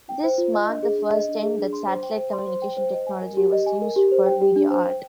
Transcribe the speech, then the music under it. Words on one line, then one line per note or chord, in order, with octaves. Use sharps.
This marked the first time that satellite communication technology was used for video art.
G5
C5
F4
D#5
D4
G#4
D4
D#5
D4
G#4
D4
C6
C5
G5
C5
C6
C5
G5
C5
D#5
G#5
A#4
G4
D#5
G#5
A#4
G4
C5
G5
G4
D4
C5
G5